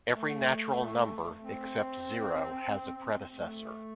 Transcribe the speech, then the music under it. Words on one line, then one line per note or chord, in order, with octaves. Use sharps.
Every natural number except zero has a predecessor.
A3
C4
A3